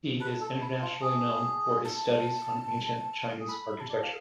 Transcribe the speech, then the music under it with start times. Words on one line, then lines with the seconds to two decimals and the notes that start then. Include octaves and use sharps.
He is internationally known for his studies on ancient Chinese architecture.
0.20 B4 A5
0.41 A4
0.61 E4
0.82 F4
1.02 G#4
1.85 A5
3.40 G#4
3.48 A4 B5
3.69 E5
3.76 B5
3.80 A5
3.90 D5
4.03 F5